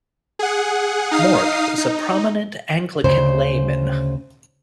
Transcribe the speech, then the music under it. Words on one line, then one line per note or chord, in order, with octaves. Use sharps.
Mort was a prominent Anglican layman.
G#4 F#5
D#4 F5 D#6 C7
D#4
D2 C#3 C5